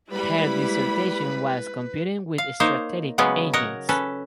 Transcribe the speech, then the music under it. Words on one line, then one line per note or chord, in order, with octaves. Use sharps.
Her dissertation was "Computing with Strategic Agents".
G3 G#3 A#3 E4 B4 B5
F5
A#3 D#4 C5 C#5
C#3 F#3 G#3 B3 C#4
A#4 C#5 D#5 F#5
C#4 A4 B4